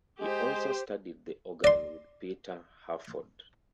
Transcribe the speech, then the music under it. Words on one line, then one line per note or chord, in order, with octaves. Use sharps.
He also studied the organ with Peter Hurford.
G#3 G4 C5
D5 C6